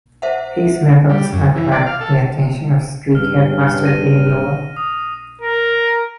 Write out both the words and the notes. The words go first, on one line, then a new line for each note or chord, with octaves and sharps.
His methods attract the attention of strict headmaster Gale Nolan.
C5 E5 F#5
G3
F#2
E3
D5
F5
A4
G2 F6
A#6 D#7
D#6
A#4